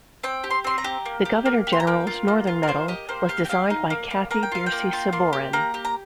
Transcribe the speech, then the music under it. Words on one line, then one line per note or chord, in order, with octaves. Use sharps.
The Governor General's Northern Medal was designed by Cathy Bursey-Sabourin.
C4 G5
G4
C6
C4 C6
A#5
G4
A#3
G4
A#3
G4
C6
A#5
A#3 G5
F4
A#3
F4
A#4
A#3 C5
G4 D#5
A#3 C5
G4 F5
G5
G4 F5
D#4
A#3
A#3
A#3 A#5
G5
F4 F5
G5
A#3
F4
A#3 C6
G4
A#3 A#5
G4
A#5